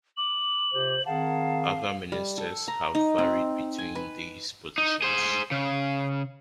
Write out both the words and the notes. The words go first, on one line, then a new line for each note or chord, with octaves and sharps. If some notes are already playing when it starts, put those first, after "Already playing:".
Other Ministers have varied between these positions.
D6 F#7
C3 F4 G4 C5
D#3 C4 G#4 F5 F#5 A5
G3
A4
A#5
D#4
C4
G#5
B4
D#4
G#4 C5
C#3